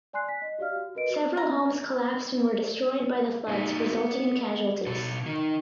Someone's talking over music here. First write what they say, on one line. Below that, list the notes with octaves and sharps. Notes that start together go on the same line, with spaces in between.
Several homes collapsed and were destroyed by the floods resulting in casualties.
D5 G#5 C6 F#6 C7
B6
D#5
F#4 G4 D5 F5 F6
F#4
F#4 A#4 B4 D#5 D7
A#5
A#3 D4 D#4 F#4 E5
B3
B2 A4
D#3 D#4